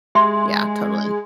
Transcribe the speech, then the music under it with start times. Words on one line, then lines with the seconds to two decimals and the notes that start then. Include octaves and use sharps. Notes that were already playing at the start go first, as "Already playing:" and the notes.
Yeah, totally.
0.15 G#3 G4 E5 C6